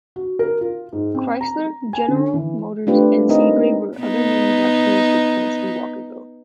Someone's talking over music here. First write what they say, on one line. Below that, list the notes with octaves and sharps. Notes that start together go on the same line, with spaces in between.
Chrysler, General Motors and Seagrave were other manufacturers with plants in Walkerville.
F#4
A#4
F4
G#2
C4
A#5
G#5
D3
E3
A3 C4 D4 F4 G4 B4
C4 D#4 A#4 D#5
B3 D#4